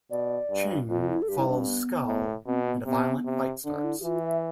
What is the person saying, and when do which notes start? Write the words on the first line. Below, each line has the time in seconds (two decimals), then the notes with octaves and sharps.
Ching follows Skull and a violent fight starts.
0.11 B2 D5
0.51 G2
0.89 F2 F4
1.01 F4
1.09 E4
1.22 A4
1.28 G2 G4
1.38 E4
1.49 D4
1.59 C4
1.67 B3
2.07 A2
2.46 B2 C4
2.66 B3
2.85 C3 B3
3.25 C3
3.65 D3 D4
3.76 D4
3.84 E4
4.00 G4
4.04 E3 F4
4.24 E5